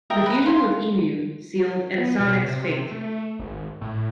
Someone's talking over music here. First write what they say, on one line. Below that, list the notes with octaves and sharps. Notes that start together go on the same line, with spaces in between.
The fusion with E-mu sealed Ensoniq's fate.
A#4 D#5 E5 G5
B4 A#5
F5 C6
B3
B2
C3
A3
G#1
A2